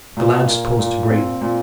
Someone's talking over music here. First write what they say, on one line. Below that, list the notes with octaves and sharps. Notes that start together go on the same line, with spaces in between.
The lads paused to breathe.
A#2
A#3
A#2
C4
A#2